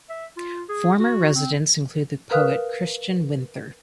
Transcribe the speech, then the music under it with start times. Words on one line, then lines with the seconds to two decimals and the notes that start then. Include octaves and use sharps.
Former residents include the poet Christian Winther.
0.09 E5
0.37 F4
0.69 G#4
0.99 F#4
1.35 C4
2.31 A#4 B4 F5 D#6 F6 F#6